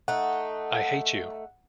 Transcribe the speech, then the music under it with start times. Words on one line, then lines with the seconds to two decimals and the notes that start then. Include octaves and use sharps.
I hate you!
0.08 A3 D#4 F#5